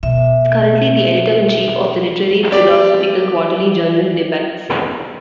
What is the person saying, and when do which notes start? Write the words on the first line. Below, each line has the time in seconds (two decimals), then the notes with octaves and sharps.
He is currently the Editor-in-chief of the literary-philosophical quarterly journal "Debats".
0.03 B2 E5
2.52 G4 D5